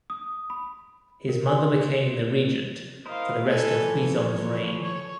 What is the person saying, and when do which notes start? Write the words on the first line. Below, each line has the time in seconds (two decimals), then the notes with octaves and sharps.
His mother became the regent for the rest of Huizong's reign.
0.10 D#6
0.50 B5
1.29 A#4
1.47 G#5
1.58 C6
3.06 E4 A#4 C5 D#5 F5
3.45 E4 A4 G#5
3.80 E3 F3
4.16 C#5
4.83 C#5